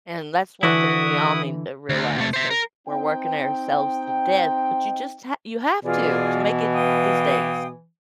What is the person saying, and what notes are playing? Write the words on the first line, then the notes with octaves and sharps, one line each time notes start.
And that's one thing we all need to realize 'cause we're working ourselves to death, but you just ha you have to, to make it these days.
D3 E3 E4 F#4 D#6
D2
C3 A3
C5 E5
A#4
C4 D#4 G5
B2 E3 F4 G#4 D5
F5 G5 D#6